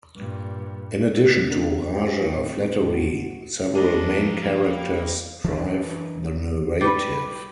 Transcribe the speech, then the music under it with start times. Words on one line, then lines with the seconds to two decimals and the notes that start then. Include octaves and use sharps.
In addition to Raja Flattery, several main characters drive the narrative.
0.16 G2 A#2
1.16 E6 F#6
1.47 A#3 C4 D4 F#4 A#4
1.96 C5 C#5 D#5 F5 G5 G#5
2.36 A2 A3 C4
2.94 F#4
3.75 F#2 A3 D4 G#4 A#4 C#5
4.07 F3 A#3 C#5
4.42 G3 A#3 F5
5.44 E3 D4
6.81 G3 B4